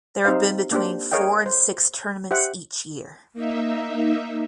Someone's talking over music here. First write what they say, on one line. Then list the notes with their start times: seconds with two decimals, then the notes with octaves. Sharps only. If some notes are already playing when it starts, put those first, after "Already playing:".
There have been between four and six tournaments each year.
0.25 C4 D#4 G4 C5 F5
0.71 A#3 D4 G4 C5
1.12 G#4 A#4 C#5 D#5 F5 G5
1.46 C5
2.31 G4 C5 E5 F#5
3.33 A#3 D#4 E5